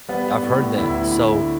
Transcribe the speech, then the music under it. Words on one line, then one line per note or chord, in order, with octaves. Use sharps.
I've heard that, so,
G3 B3
A2
D2 E4
D2